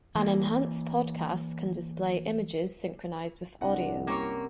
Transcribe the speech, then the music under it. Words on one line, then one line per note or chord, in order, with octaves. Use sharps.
An enhanced podcast can display images synchronized with audio.
E3 A#3
C2 C4 D4 D#5 F#5
F#2 C3 G3 A#3 A#4 C#5